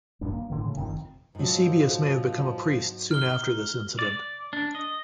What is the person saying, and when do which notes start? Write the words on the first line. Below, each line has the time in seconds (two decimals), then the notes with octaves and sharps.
Eusebius may have become a priest soon after this incident.
0.21 D#1 A#1 G2 D4
0.33 A#3
0.50 A2 D3 E3
0.64 C#3 A3
0.77 G1 F2 C3 D#3
1.35 G#2 F3 F#3
3.11 D#4 F6 G7
3.99 D5
4.53 D4
4.75 D#5